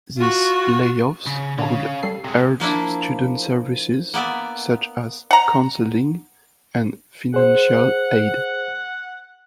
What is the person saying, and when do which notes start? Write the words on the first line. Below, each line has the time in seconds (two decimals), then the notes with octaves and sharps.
These layoffs could hurt student services such as counseling and financial aid.
0.18 F4 F#4
1.26 C#3
1.58 A#2 D3 C#4 F5
2.03 G3 A4 C7
2.24 C3 G#3
2.60 F3 A#3 D4 E4
4.14 A#3 B3 D5 E5
5.31 F#5 A#5
7.34 G#4 C5 F#5